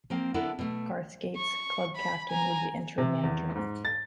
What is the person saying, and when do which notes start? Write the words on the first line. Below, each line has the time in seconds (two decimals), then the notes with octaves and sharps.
Garth Scates, Club captain would be interim manager.
0.10 F3 A#3 C4
0.34 D3 B3 D4 E4 A4 A#4
0.59 B2 A3
1.37 C#6
1.96 B5
2.29 G#5 A#5
2.98 C3
3.23 E2
3.55 G#2
3.85 A6